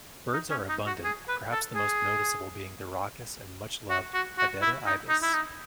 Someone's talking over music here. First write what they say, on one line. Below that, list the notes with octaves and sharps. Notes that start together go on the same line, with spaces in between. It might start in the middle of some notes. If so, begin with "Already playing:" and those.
Birds are abundant, perhaps the most noticeable being the raucous and much-loved hadeda ibis.
D#4
C#4
D#4
F#4
G#4
B4
A4
G#4
F#4
F#4
F#4
E4
D#4
D#4
E4
D#4